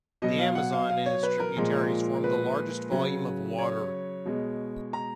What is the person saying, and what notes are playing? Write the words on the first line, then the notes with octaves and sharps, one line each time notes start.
The Amazon and its tributaries form the largest volume of water.
B2 F#3 D#5
F5
F#5
F5
F5
C#5
B4
A#4
A#2 F3 G#3
B4
C#3 F#3
C#5
B2 G#3
A#5